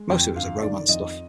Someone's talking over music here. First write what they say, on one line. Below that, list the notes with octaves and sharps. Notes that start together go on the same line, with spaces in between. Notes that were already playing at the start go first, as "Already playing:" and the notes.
Most of it was the romance stuff.
Already playing: G#3
F2 G5
G1 F5
D#3 D5
F2 D#5